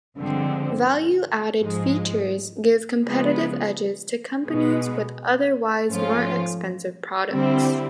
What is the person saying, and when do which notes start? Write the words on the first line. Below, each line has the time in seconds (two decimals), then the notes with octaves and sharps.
Value-added features give competitive edges to companies with otherwise more expensive products.
0.17 G2 D3 F3 G#3 C4
1.60 G#2 F3 G#3
3.03 C#3 F3 G#3 B3
4.46 B2 G#3 B3
5.88 G#2 F3 A3 C#4 F4
7.31 D3 G3 C4 E4